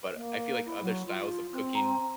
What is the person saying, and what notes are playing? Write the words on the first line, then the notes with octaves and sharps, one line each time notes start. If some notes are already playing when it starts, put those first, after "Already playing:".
But I feel like other styles of cooking
A#3
E4
F#3
F4
C4
A#5